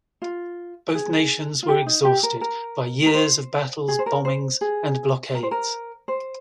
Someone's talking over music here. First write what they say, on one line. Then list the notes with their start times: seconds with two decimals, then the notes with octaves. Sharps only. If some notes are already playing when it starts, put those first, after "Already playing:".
Both nations were exhausted by years of battles, bombings and blockades.
0.22 F4
0.95 G#4
1.63 F4
1.68 G4
1.86 D#4
2.05 G4
2.23 A#4
2.41 A#4
3.06 A#4
3.14 C5
3.88 G#4
3.99 C5
4.06 A#4
4.25 C5
4.61 G#4
5.35 A#4
5.43 C5
5.51 A#4
6.08 C5